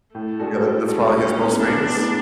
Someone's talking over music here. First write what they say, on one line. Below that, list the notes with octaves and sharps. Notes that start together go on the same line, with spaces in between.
yeah, that that's probably his most famous.
A2 A3
G#3 D4 F#4 A4
A2
G#3 D4 F#4 A4
B1 C#4
A2 G#3 B3
B1 D4
A2 G#3 B3